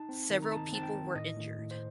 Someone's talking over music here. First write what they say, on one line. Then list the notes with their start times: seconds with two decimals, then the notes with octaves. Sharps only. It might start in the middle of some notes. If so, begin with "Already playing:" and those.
Several people were injured.
Already playing: D#4 A5
0.09 C4
0.30 D#3
0.43 A#5
0.52 D#4 A5
0.73 C4 A5
0.83 G5
0.95 D#3
1.15 A2 D#5
1.37 A2
1.58 A2
1.71 C5